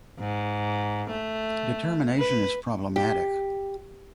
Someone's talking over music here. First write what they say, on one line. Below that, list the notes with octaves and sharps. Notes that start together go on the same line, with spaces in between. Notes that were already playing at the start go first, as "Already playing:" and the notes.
Determination is problematic.
G#2
A3
B4
G4